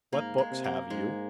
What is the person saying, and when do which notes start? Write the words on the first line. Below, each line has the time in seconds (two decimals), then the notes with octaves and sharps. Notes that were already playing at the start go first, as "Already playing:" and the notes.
"What books have you?"
0.12 G#2 A#3
0.38 G#3
0.51 C3
0.64 A#3
0.90 G#2 G#3